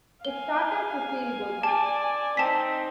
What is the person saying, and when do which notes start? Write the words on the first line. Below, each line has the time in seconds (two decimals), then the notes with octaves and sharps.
It started to feel good.
0.25 F5 G#5 G7
1.63 D5 G#5 A5
2.37 C4 D#4 A5 B6